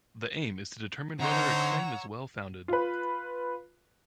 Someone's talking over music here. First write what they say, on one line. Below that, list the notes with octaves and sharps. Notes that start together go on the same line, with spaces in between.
The aim is to determine whether a claim is well founded.
D3 C4 D#4 C5 C#5 F#5 A#5 E6
F4 B4